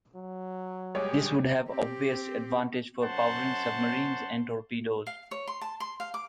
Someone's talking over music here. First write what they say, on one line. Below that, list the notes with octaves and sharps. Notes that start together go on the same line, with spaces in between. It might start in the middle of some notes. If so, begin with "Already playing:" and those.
This would have obvious advantages for powering submarines and torpedoes.
F#3
G3 G#3 C#5 G#5 D6
C4 G4
F#2 C5 C#5 F#5 A5 C6
F5
C#5
C6
A5
C6
F5
D6